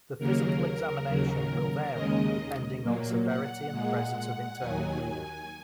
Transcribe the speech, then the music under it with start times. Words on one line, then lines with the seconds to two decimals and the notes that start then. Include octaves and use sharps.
The physical examination will vary depending on severity and presence of internal bleeding.
0.18 D#2 C#3 F#3 A#3 A#4
1.07 D#2 C#3 F#3
1.94 D#2 C#3 G#3 D#5
2.82 A#2 F#3 A#3
3.26 F#5
3.70 A#2 G#3
4.14 F#5
4.58 D#2 D#3 F#3 G#5